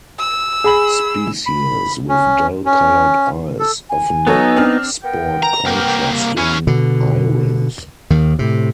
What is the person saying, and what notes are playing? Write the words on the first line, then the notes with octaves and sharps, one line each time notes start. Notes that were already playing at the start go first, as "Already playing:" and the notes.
Species with dull coloured eyes often sport contrasting eyerings.
E6
G#4 B5 F#7
B5
C#4
C#4
A4
G#5
F#3 B3 D#4 A4 C#5
C4 D4 F6
B3 A#4 G5
A#5
C2 A#3 B3 A#4 G5
F#2 C#4 E4 G#5
B2 D3
D#2 D#3
A2 C3